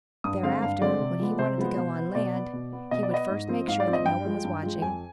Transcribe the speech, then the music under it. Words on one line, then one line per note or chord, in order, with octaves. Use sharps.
Thereafter, when he wanted to go on land, he would first make sure that no one was watching.
G2 D#6
D3 G#3 C4 F5
G2 F5
D3 G#3 C4 D5
C3
F3 G#3 B3
C3 C5
F3 G#3 B3
B2
B3
B2 D5
B3
B2
B3
B2 D#5
D5
B3 D#5
G#2
F3 C4
G#2 F5
D5
F3 C4
D#5
G2 G5
F3 G#3
G2
F3 G#3
F2 G#5